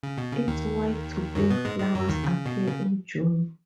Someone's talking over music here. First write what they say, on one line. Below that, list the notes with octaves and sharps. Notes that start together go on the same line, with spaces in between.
Its white to pink flowers appear in June.
C#3
B2
C#3
D#2 D#3
F#2 F#3
B2 B3
G#2 G#3
G#2 G#3
F#2 F#3
D#2 D#3
C#3
B2
C#3